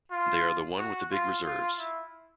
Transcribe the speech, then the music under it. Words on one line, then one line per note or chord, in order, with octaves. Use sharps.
They are the one with the big reserves.
F4
F#4
F4
F4
E4